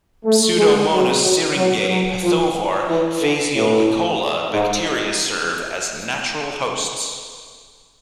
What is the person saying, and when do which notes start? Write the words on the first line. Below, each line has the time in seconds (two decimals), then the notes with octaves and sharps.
Pseudomonas syringae pathovar "phaseolicola" bacteria serve as natural hosts.
0.24 A3
0.57 G#3
0.91 F#3
1.23 F#3
1.55 F#3
1.89 F#3
2.23 F3
2.88 E3
3.21 D3
3.54 A2
4.53 G#2